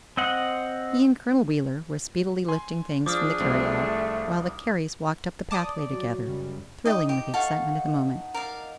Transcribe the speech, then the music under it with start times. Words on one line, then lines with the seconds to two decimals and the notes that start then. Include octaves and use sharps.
He and Colonel Wheeler were speedily lifting things from the carryall, while the Careys walked up the pathway together, thrilling with the excitement of the moment.
0.17 C4 D#5 F#5
2.48 G#5 C6
3.06 F3 D4 G#4 D6 D#6 F6
3.40 C2 F3 A3 C4
5.51 D5 A5 D6 D#6
5.92 F#3
6.24 F#2 C#3 G3
6.85 D#4 D#5 G5 D6
7.09 G4 D#6
7.34 A4 F5 F#5 C#6
8.34 A#4 D5 F5